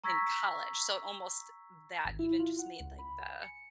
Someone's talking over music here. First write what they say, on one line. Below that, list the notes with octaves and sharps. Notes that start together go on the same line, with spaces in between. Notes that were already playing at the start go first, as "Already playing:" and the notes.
in college, so almost that even just made like the
A#5 C#6 E6 G#6 A#6 B6
G#1
E4
F4
F#5
C#2
B5
G#5
C#7